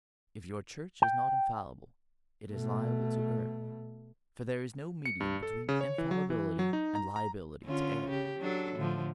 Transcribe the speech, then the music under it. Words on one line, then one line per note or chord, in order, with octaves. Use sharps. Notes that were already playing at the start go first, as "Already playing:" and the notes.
If your church is not infallible it is liable to err, for there is no medium between infallibility and liability to error.
G5
B2 A3
C#7
G2
A4
C#3
C#5
E3
F#3
E3
F#3
D#4
A#5
A#5
D3 C#4 F4
C#3 G4
F#3 D4 A4
A2 D3 F3